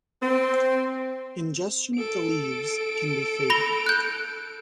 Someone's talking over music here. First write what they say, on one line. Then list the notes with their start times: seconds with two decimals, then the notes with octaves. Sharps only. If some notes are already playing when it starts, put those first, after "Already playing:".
Ingestion of the leaves can be fatal.
0.22 C4
1.95 A4 D7
3.50 B5 A#6 G7
3.86 F#6 G6